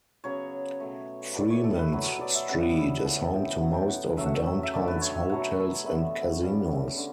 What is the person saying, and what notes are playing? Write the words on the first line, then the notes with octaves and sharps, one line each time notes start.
Fremont Street is home to most of downtown's hotels and casinos.
C#3 F#3 B3 C#5
B2 A3
A2 G3 B3 D5
C#5
A4
B4
B2 F#3 B3 B4
C#5
D5
E5
C#3 G3 B3 F#5
B5
C#3 E3 A3 A5
G5
B2 F#3 A3 F#5
G5
F#5
C#3 F#3 A3 E5
F#5
E5
E5
D3 A3 D5
B4
C#5
E5
B2 F#3 A3 F#5
D3 G3 B3 E5
C#3 G3 B3
D3